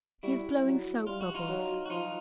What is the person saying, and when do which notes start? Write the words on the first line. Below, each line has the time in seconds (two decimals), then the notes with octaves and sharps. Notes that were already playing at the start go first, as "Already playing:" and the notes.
He is blowing soap-bubbles.
0.23 G3 E4 F#4
0.66 F#3
1.06 G3 F4
1.21 F#4
1.34 D#4 F4
1.49 F#3
1.86 F#4
1.90 F3 D#4 F4